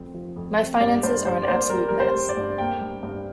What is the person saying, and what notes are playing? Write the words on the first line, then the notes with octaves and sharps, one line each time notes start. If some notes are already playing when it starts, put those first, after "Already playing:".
My finances are an absolute mess.
Already playing: F2 C4
F3
F2
C4
G2 D5
G2 C5
G2 C5
D5
A#3 C5
G3 A#4
G3 A#4
C5
G3
D5
G2
A#3 G5
G2
G2